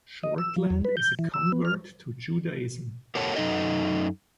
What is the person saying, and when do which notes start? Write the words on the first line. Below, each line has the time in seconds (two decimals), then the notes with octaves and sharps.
Shortland is a convert to Judaism.
0.24 D#5
0.38 E6
0.56 F3
0.70 E2
0.85 B4
0.97 G6
1.19 E3
1.34 E6
1.52 B3
1.65 F6
3.15 G4 A4 A#4 C#5 F#5 A5
3.36 F#2 D#3 D#4 A4 D#5